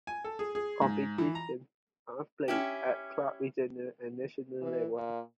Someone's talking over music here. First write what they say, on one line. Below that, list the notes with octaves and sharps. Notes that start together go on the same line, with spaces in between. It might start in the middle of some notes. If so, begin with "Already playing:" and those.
Competitions are played at club, regional and national level.
G#5
A4
G#4
G#4
G#2
E3
A#5
C#4 E4 G4
E3
A#2